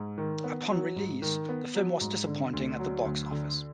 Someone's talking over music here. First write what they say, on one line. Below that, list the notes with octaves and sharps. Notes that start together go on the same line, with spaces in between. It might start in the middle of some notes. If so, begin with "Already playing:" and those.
Upon release, the film was disappointing at the box office.
Already playing: G#2
D#3
B3
F#3
G#2
D#3
B3
F#3
G#2
D3
D2
F#3
D2
D3